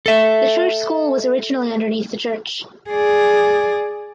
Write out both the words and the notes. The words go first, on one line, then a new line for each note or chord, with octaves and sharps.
The Church school was originally underneath the church.
A4 E5
G#4 D5